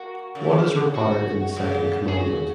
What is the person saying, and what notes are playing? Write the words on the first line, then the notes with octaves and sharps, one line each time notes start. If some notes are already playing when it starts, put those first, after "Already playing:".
What is required in the second commandment?
Already playing: A#3 F#4
C#3
F#4
C#3
G#4
F#4